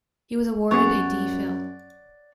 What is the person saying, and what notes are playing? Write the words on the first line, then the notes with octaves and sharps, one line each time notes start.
He was awarded a D. Phil.
F#2 A#3 B3 G#4 C#5 D5 F#5